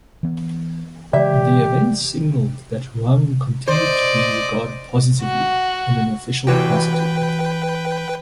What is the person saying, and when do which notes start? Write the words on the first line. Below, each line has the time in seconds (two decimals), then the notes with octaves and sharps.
The event signalled that Huang continued to be regarded positively in an official capacity.
0.23 E3 B3
1.13 C#3 E3 G#3 G4 D5 E5
3.68 C5 D5 D#5
5.21 F#4
6.47 E3 F#4 G4 B4 G5